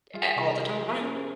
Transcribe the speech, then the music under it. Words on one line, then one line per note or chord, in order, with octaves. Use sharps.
Eh, all the time.
G3 F4 G#4
C3 F4 G#4
C3 E4 G4
F3 G4 A#4
G#4
G4 A#4
C#4
G#4 C5